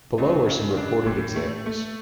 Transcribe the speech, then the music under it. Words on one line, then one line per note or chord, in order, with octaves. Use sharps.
Below are some reported examples.
C#2
C#3
D4
A2
A3
A3